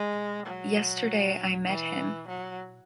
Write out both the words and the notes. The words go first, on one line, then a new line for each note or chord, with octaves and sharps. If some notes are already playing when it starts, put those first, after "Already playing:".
Yesterday I met him.
Already playing: G#3
F#3
E3
F#3